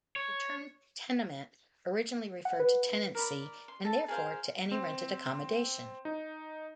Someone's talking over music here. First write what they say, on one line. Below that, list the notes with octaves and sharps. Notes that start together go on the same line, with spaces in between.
The term "tenement" originally referred to tenancy and therefore to any rented accommodation.
C#5
F#5
B4
A#4 D5 B5
C6
A4 A5
G#4 A#4 C5 F5
C4
D#4